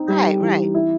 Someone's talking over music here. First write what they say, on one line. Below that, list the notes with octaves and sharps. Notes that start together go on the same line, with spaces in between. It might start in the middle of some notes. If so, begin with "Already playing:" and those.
Right, right.
Already playing: C4 D#4
G3
E3
E4